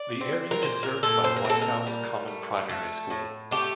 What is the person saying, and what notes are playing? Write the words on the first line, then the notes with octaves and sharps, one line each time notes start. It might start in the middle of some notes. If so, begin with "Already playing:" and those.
The area is served by Whitehouse Common Primary School.
Already playing: D5
C4
A#4
A#2 C5
A#4
A#2 A4
C5
A#4
C4 A4
A#4
G3
A3
A3
A2
A3 G4